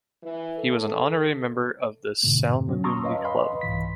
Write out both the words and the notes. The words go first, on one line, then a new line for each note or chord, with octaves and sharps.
He was an Honorary Member of the Salmagundi Club.
E3
A4
F2 G#2 B2 D3 A3
F#3 C#4
A5 A#5 C6 C#6 D#6 E6
B4 C#5 D#5 F5
B4 D#5 F5 G#5 B5 C6
C2 G#2 E3 B6